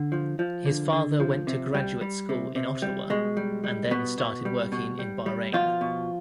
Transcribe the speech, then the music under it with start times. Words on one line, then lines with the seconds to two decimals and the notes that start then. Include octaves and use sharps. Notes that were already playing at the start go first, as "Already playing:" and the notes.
His father went to graduate school in Ottawa, and then started working in Bahrain.
Already playing: D3
0.12 F3
0.39 F3
0.66 D3
0.93 D3
1.20 F3
1.47 C3
1.74 G3
2.01 G3
2.29 C3
2.56 C3
2.82 G3
3.10 B2 G#3
3.37 G3
3.64 G3
3.91 B2 B3
4.18 B2
4.45 G3
4.72 B2
4.99 G3
5.26 G3
5.53 B2 F3 F4
5.81 B2